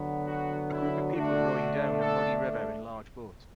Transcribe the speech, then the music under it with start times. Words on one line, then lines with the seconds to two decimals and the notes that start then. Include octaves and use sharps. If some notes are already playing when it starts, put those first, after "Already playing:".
A group of people rowing down a muddy river in large boats.
Already playing: D3 F#3 B3
0.27 F#4
0.72 E4
1.14 D3 A3 D4 F#4
2.02 A4